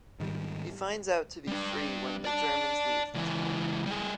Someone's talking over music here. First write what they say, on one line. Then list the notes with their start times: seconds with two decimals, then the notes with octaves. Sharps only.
He finds out to be free when the Germans leave the town.
0.20 G#2 D#3 G3
1.47 G3 D4
2.25 D5 A5
3.14 C#2 E3
3.86 G3 G#4